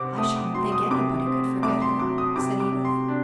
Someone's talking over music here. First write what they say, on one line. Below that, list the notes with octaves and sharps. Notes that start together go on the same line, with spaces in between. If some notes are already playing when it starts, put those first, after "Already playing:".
"I shouldn't think anybody could forget her," said Edith.
Already playing: C3 C4 F#5 D6
A3 D#6
D6
F#3 C6
D#6
C3 D6
C4
A3 D6
C6
F#3 D6
D#6
C3 D6
D6
C3
C6
D4